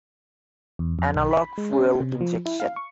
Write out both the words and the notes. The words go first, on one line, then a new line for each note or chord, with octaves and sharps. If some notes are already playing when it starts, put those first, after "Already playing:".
Analog fuel injection.
E2
F2
B1
B5
G#3
C#4
C3
F3
E4
F5
C#6